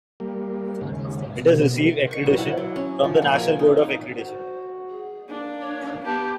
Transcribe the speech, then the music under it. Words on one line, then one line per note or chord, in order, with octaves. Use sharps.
It has received accreditation from the National Board of Accreditation.
G3 A#3
D#2 G#2 C#3
B2
C#6
F#3
E4
F#3
C#4
F3
A#3
G#5
D#4
D#4
F#4 C5
G#4
A#3 D4
C#5
B3 G4 A5